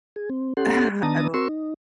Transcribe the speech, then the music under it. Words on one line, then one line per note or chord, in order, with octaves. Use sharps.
Ah, I l
G#4
C4
C#4 G4 A4 F#5 C6
D#3 B3 D4 A5 A#5 D#6
C4 F#4 A#4 C6 C#6 E6
D#4